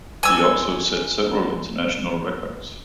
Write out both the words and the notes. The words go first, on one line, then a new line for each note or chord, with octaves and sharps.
They also set several international records.
G#5 E6